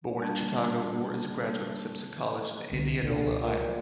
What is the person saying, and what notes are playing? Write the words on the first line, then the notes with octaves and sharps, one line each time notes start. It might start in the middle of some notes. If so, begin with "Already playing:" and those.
Born in Chicago, Orr is a graduate of Simpson College in Indianola, Iowa.
G3 A#3 D4 A5
C2 D3 B3
C#2 B2 D3
A#2